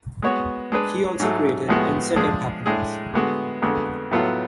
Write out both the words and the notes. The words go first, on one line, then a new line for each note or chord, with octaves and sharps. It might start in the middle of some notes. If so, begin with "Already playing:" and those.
He also created and set up happenings.
G#3 B3 F#4 C#5
G#3 D4 G#4 B4
G#2 F#3 A3
A2 F3 G#3 B3 F#4
F3 G#3 D4 G#4
A2 G#3 D4 G#4
D3 G#3 B3 F#4
F2 D3 G#3 B3 F#4
A2 F#3 B3 F4 A4